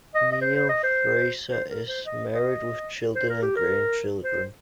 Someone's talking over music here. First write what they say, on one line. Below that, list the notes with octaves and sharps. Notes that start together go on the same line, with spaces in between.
Neale Fraser is married with children and grandchildren.
D#5
D#5
C5
C5
D#5
C5
C5
A#4
C5
D#5
D#5
C5
A#4
G4
A#4
C5